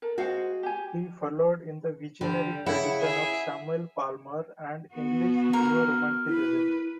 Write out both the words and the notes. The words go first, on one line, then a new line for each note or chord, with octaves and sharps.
He followed in the visionary tradition of Samuel Palmer and English neo-romanticism.
A4 A#4
G#3 F#4 C5 F5 F#5
G4 G#5
D3 G3
C#3 E4 F#5
G#4 E5
B3 F#4
A#4
E4 B4